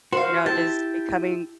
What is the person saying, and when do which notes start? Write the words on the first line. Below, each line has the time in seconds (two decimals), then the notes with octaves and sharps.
you know just becoming
0.13 F#4 C5 F5
0.46 E4 G4 A5